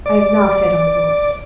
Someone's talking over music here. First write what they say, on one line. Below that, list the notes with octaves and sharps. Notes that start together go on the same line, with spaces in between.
"I have knocked at all doors."
D5